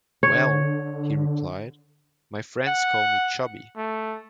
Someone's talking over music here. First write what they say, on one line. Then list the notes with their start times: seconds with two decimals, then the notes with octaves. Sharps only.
"Well", he replied, "my friends call me 'Chubby'".
0.23 D3 C#5
2.67 F#5
3.77 A3